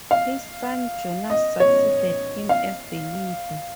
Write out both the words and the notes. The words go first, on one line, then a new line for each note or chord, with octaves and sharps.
His son Jonas succeeded him as the leader.
F5
D#5
C#5
F5